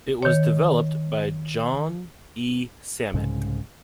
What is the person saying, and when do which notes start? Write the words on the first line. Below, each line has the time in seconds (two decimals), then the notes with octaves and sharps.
It was developed by Jean E. Sammet.
0.23 D#3 C#5
3.14 C2 G#2 C#3